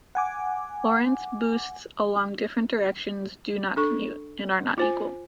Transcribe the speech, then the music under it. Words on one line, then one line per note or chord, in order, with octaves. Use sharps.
Lorentz boosts along different directions do not commute: and are not equal.
F#5 G#5 D6
D4 A4 C#6
F4 C5 G#5